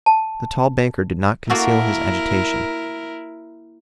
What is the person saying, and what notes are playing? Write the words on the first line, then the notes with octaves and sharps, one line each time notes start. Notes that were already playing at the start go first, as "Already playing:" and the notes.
The tall banker did not conceal his agitation.
A5
A#3 E4 F#4 A4 A#4